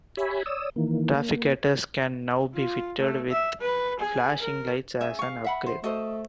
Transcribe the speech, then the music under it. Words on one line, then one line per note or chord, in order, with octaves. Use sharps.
Trafficators can now be fitted with flashing lights as an upgrade.
G4 C#5 E5 G#5 B5
C#5 D5 D#6 E6
D#3 E3 A#3
A#3
F4
A3
E5
B4
G#4
A#4
C#4 G#4 E5
F5 C#6
E5 F#5 B5
C5
A3 F#4 A4 C5 D#5